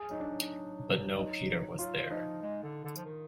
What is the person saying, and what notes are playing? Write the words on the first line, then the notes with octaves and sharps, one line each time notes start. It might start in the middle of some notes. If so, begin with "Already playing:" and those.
But no Peter was there.
Already playing: G#4
F#3 D#4
D4
F#3
D#4
F#3 F4
D#3
F3 D#4
G#3
D3
D3
F3
D#3